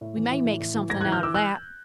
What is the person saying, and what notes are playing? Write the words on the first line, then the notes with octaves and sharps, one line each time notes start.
We may make something out of that.
A2
E3
E3
A2
A2
E3
G#2 G#6 A#6
E3 F#6 G#6
F6 G6
E3 D6 E6
E6 F#6